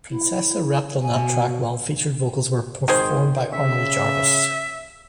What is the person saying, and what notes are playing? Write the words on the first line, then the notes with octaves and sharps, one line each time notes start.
Princessa rapped on that track while featured vocals were performed by Arnold Jarvis.
E4
G#5
B2
G#1 D#3 G#4 C5
C#3 E5